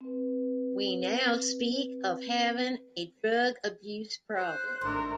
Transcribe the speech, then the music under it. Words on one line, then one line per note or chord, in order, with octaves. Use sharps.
We now speak of having a drug-abuse problem.
C4 B4
C5 F#6
G#1 A3 D4 A#4 C5